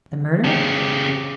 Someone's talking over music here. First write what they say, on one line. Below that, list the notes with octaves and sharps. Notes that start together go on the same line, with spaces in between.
"The murder?"
C#3 G4